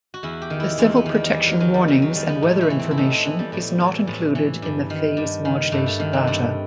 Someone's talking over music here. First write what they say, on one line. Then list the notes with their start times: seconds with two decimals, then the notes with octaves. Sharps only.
The civil protection warnings and weather information is not included in the phase-modulated data.
0.14 F#4
0.23 E2 E4
0.42 G4
0.50 D#3
0.60 E4
0.78 E2 C4
0.96 B3
1.06 D#3
1.15 G3
1.33 E2 G3
1.47 F#3
1.60 D#3 F#3
1.74 G3
1.88 E2 F#3
2.02 F#3
2.15 D#3 G3
2.29 B3
2.42 A2 A3
2.61 A3
2.70 E3
2.79 C4
2.91 E4
2.98 A2 D#4
3.11 C4
3.25 E3 B3
3.39 G3
3.52 A2 G3
3.80 E3
4.07 A2
4.35 E3
4.62 G2
4.90 D#3
5.17 G2
5.45 D#3
5.72 G2 A3
5.86 A3
6.00 D#3
6.13 C4
6.27 G2